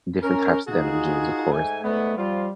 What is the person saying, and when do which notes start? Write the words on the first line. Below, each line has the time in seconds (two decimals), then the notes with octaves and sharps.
different types of denim jeans, of course.
0.23 C#4 A#4
0.67 D#4 F4 F#4 G#4
1.51 G#2 A3 G#5
1.83 G#2 D3 A3 B3
2.18 F3 G3 C4 F4